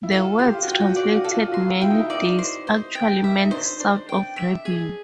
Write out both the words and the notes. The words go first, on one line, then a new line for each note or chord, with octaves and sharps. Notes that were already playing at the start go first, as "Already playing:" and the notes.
The words translated 'many days' actually meant 'south of Rabin'.
E4
F4 A4
G4 C6
F4
F#4
F4 G5
F#4
F4
F#4 D5
F4
F#4
F4 A4
F#4
F4
F#4 C6
F4
E4 G5
D#4
E4
D#4 D5
C5
C5
G5
E5
D#4
D4 C5
D4 C5
G5
E5
G#4